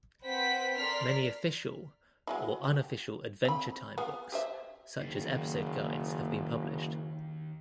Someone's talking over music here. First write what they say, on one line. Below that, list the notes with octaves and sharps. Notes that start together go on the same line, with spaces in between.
Many official or unofficial "Adventure Time" books such as episode guides have been published.
C4 B4 C5 F#5 G5 B6
A4 A#4 D5 C6 F6 B6
F#3 G#3 E4
G4
C4 B5
B3 F4 G#4
G4 C5 E5
F#1 D#2